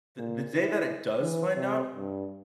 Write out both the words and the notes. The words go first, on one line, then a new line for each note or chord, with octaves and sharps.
The the day that it does find out,
A#2
E4
E3
C3
G2